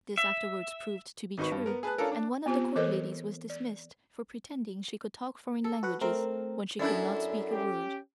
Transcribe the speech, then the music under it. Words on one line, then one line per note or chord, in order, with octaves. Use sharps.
This afterwards proved to be true and one of the Court ladies was dismissed for pretending she could talk foreign languages when she could not speak a word.
E5
G#1 D#4 F#4 B4 C#6
G2
B3 A#4
G#4 B4 A5 F#6
C#4 D4 F4 A4 A#4
D4
B3 C4 F4 G4 C5
E3 A4 A#4 C5 D#5
D5
A4
F#4 B4 F#5
A3 C4 A#4
F#2 D4 E4 A4
C#4 G4